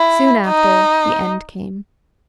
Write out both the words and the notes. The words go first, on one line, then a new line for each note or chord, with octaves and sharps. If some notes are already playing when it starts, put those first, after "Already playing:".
Soon after, the end came.
Already playing: E4
D#4